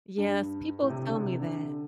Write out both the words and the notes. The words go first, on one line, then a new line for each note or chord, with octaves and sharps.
Yes, people tell me that.
G2
A2
C3
D3
C3
D3